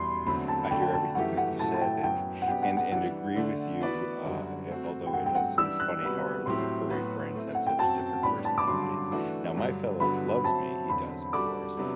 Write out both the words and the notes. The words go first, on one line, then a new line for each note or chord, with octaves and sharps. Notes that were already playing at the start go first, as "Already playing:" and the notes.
I hear everything that you said, and and and agree with you, uh, i although it also is funny how our little furry friends have such different personalities. Now, my fellow loves me, he does, of course,
Already playing: E2 B2 G3 B5 C6
E2 D3 F#3 A3 C4 B5
A5
D3 A3 D4 F#4 G5
G5
A5
F#2 E3 A3 E4 G4 F#5
F#5
A2 F#3 A3 E4 A5
A5
G5
F#2 F#3 B3 G5
F#5
B2 F#3 B3 D4 G4 G5
F#5
F#5
E3 G3 D4 F#5
D3 A3 D4
E3 B3 F#4 B4 D5
F#2 D3 G3 D4 F#4
A3 C4 F#4
G5
G2 F#3 A3 C4 F#5
G5
F#5
E3 G3 D4 G4 E6
F#6
C3 G3 B3 F#4 B4
A2 F#3 C4 E4 G4 C6
A2 F#3 B3 F#4 B4
A3 C4 E4
F#5
G5
F#2 F#3 C4 F#4 A5
A2 G3 B3 D4 G4 B5
A5
D6
G2 D3 F#3 C6
E3 A3 D4 F#4
G2 D3 F#3
G2 D3 F#3 B3 F#4 B5
F#3 C4 F#4 C5 E5 A5
E2 D3 F#3 C4 B5
G3 D4 F#4 A4 D6
C3 F#3 B3 D4